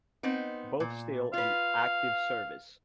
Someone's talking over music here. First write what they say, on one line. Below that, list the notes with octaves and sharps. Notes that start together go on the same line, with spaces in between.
Both still in active service.
B3 C4 D#4
A#2
F4 B4 F5